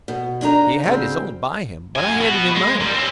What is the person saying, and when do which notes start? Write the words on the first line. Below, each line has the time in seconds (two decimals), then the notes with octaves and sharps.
He had his own by him, but I handed him mine.
0.08 B2
0.41 G#2 D4 D#4 A#5
0.84 D2 C#3 C4
1.96 F#2 G#5
2.21 B3 F#4
2.55 G#3
2.80 A#2 G3
2.94 C4 C#4